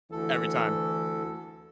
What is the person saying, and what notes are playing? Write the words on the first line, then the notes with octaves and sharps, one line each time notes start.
every time.
D2 E3 A4